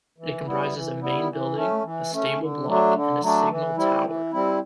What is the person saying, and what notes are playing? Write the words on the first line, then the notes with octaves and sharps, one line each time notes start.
It comprises a main building, a stable block and a signal tower.
E3
G3 B3 E4
E3
G3 B3 E4
E3
A3 C#4
E3
A3 C#4
D3
F#3 A3 D4
D3
F#3 A3 D4
E3
G3 C4 E4
E3
G3 C4 E4